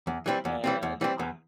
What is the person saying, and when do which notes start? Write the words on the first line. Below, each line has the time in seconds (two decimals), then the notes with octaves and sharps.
And I
0.07 E2
0.26 E3 G3 C4
0.45 E2
0.64 E3 G3 C4
0.83 E2
1.01 E3 G3 C4
1.19 E2